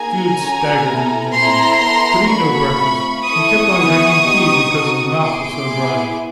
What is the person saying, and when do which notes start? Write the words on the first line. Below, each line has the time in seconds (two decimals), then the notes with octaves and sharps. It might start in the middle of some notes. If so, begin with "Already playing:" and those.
Jude staggered under the news; could eat no breakfast; and kept on drinking tea because his mouth was so dry.
Already playing: A#3 D#4 G#4 G#5 A#5
0.37 C#4 F#4 A4
0.86 B3 E4 A4
1.34 C4 E4 A4 A#5 C6
1.82 B3 E4 A4
2.30 A#3 D4 F#4 A4 B5 C#6
2.79 A3 C4 F4
3.27 C4 E4 A4 C#6 D#6
3.75 B3 E4 G#4
4.24 B3 D#4 G4
4.72 C4 D#4 F#4 A4
5.21 B3 E4 G#4 C6 D6
5.69 B3 E4 G#4